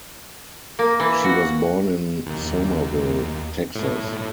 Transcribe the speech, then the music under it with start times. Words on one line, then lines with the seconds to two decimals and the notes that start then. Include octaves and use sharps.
She was born in Somerville, Texas.
0.79 A#3
1.00 E3
1.24 F#4
2.26 D#2
3.75 A2